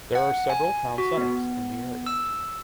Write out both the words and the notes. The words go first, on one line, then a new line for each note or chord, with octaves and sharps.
There are several town centres in the area.
F#5
G#5
F#4
B3
E6